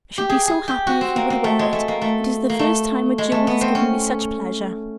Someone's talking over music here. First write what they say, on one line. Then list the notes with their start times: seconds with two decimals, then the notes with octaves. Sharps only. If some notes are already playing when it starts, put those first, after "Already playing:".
"I should be so happy if you would wear it--it is the first time a jewel has given me such pleasure."
0.18 G4
0.29 G#4
0.48 G#4
0.68 G4
0.87 F#4
1.01 C4
1.16 A#3
1.30 A#3
1.44 A3
1.59 G#3
1.73 A3
1.88 A#3
2.02 A3
2.50 A#3
2.59 A3
3.18 G#3
3.32 A3
3.47 B3
3.61 C4
3.75 C#4